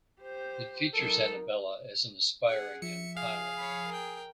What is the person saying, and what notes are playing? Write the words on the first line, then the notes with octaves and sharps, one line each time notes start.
If features Annabella as an aspiring young pilot.
G4 C5
F#3 D#4 A4 A#4
G#4 F#5
F3 E5 C#7
G#4 F5
C#5 B5
A#4 G5